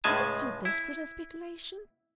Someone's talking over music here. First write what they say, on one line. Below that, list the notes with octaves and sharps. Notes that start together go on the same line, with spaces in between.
Is it so desperate a speculation?
C#2 A2 C#3 G#3 G#5 A5
E4